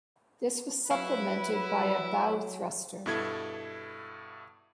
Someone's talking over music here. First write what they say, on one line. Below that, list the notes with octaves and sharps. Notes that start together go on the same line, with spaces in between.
This was supplemented by a bow thruster.
F#3 E4 B4 F5
G2 B2 E4 A4 G#6